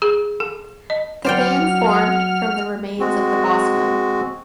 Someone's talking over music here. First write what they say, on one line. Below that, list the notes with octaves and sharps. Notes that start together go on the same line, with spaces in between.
The band formed from the remains of The Bossmen.
G#4
A4
D#5
F#3 C5 D5 F#5 G5 F6
G#3 C4 F#4